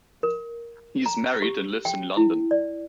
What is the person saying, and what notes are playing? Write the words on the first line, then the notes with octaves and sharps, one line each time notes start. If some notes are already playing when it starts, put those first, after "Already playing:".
He is married and lives in London.
A#4
A#5
G4
G5
E4
D5